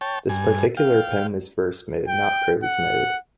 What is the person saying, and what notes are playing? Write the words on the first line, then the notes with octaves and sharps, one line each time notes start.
This particular poem is verse-mode, not prose-mode.
C#5 G5 A5
G2 G#5
F5 G5
G5
F#5